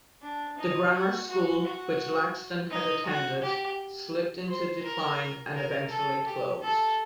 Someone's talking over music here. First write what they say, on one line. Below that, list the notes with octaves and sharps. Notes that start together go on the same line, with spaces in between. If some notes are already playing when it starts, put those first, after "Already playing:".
The grammar school which Laxton had attended slipped into decline and eventually closed.
D4
D#4
F#4
F#4
F#4
D#4
F#4
G4
C5
A#4
A#4
A4
G4
A4